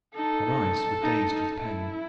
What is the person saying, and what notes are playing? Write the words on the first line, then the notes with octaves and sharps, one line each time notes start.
Her eyes were dazed with pain.
D#4 A4
D#4
D#4
E4